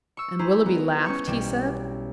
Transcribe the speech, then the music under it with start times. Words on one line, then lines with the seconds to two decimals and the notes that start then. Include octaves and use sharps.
"And Willoughby laughed?" he said.
0.17 C#6 E6
0.39 E4 G#4 C5 A#5
0.66 B3 A#5
1.06 C#4 C#6
1.27 B1 G3 E7